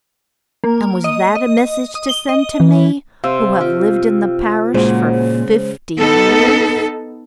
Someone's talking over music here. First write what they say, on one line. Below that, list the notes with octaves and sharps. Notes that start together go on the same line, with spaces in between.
And was that a message to send to me, who have lived in the parish for fifty years?
A#3
D#5
D#5
D#6
G7
D#5
E3
C3 F5 C6 E6
F4 G4
A#2 C#3 F#3 G#3 C5
B3 D#4 A4